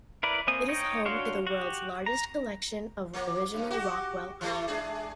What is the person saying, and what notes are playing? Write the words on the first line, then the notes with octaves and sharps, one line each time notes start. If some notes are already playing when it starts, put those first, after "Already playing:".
It is home to the world's largest collection of original Rockwell art.
E4 A#4 B4 D5
A#3 C4 C5 G#5 D#6
D#4 C#5 D#5 G5
D4 F#4 C#5 F5 C6
F#4 G4
A#5
F3 A#3
F#2
F#4 G4
E3 G3 A3
G#3 D4 G#4